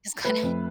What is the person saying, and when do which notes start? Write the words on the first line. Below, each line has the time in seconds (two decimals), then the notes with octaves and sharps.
he's gonna
0.24 A3 B4
0.43 F2